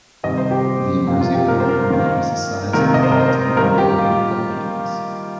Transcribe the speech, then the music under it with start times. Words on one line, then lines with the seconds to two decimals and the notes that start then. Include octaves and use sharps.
The Immirzi parameter measures the size of the quantum of area in Planck units.
0.24 C3 D#3 G3 D#5
0.38 C5
0.51 G4
1.07 C3 F3 A#3
1.21 F4
1.34 G4
1.48 A#4
1.60 C5
1.69 A#4
1.91 D#3 A#3
2.73 C3 D#3 A#3 A#4
2.94 D#5
3.03 C5
3.12 A#4
3.20 C5
3.56 D#3 G3 A#3 A#4
3.78 G4
3.99 F4